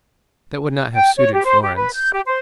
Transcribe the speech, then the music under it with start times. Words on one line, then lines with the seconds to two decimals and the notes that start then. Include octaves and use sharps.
That would not have suited Florence.
0.94 G5
1.18 C#5
1.33 G4
1.45 C5
1.63 G4
1.76 B4
1.93 G6
2.13 G4
2.26 C5